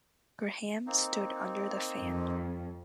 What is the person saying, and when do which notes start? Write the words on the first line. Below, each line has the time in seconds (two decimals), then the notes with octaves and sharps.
Graham stood under the fan.
0.87 A#3 C4 D#4
1.98 F2